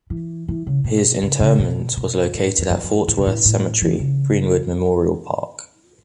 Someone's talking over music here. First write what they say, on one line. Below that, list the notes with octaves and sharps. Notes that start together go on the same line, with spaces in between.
His interment was located at Fort Worth's cemetery Greenwood Memorial Park.
E3
E3
C#3
B2
C#3
C#3
B2
B2
A2
E2
F#2
F#2
A2
B2
A2
A2
E3
C#3